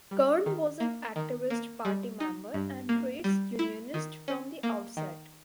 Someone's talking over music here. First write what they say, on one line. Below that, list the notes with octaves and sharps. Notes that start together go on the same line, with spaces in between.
Kern was an activist party member and trades unionist from the outset.
G3
D#3
A#3
D#3
A#3
G3
D#4
G2
A#3
G3
E4
D#3
C#4
A#3
D#3